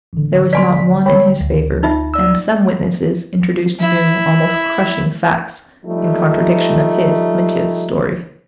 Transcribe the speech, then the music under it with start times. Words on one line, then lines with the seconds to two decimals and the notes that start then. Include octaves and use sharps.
There was not one in his favor, and some witnesses introduced new, almost crushing facts, in contradiction of his, Mitya's, story.
0.13 A1 D3
0.53 D5 G#5 C6 B6
1.06 C#5 G5 B5
1.40 D2
1.83 D#4 F4 E5
2.14 D5 E6
3.80 E4
5.85 F3 G3 A3 D#4